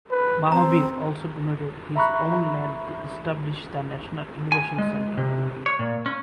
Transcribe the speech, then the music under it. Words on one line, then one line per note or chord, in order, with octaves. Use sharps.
Mahabir also donated his own land to establish the National Innovation Center.
B4
C4 C5 A#5
E5 A#5 B5 C#6 F#6
G#5
G#3
C3
C#5
A#2
C#4